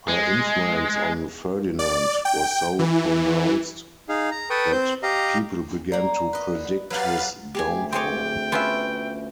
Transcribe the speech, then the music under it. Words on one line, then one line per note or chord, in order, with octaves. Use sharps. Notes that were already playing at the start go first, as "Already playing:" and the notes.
Her influence on Ferdinand was so pronounced that people began to predict his downfall.
G#3
D5
G5
E3
D#4 G#4 F5
A#5
A4 B4 G5 C#6 D#6
C4 C5 G6
G4 D#5 F5 A#5
A#3 D5 A#5
B4 D#5
F#3 G4 B4 F5 A6
D2 G4 G#4 G#5
C4 G#4 C#5 G5 C6 D6
B3 C#4 F4 E5 C6